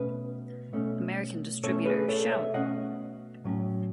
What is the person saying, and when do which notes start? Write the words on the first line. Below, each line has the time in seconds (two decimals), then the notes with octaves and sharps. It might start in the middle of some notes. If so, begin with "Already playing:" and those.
American distributor Shout!
Already playing: B2 A3 C#4 B4
0.73 B2 A3 C#4
1.63 B2 A3 C#4 A4 C#5
1.86 G#4 B4
2.08 A4 C#5
2.31 C#5 E5
2.54 B2 A3 C#4 D#5 F#5
3.44 A2 F#3 C#4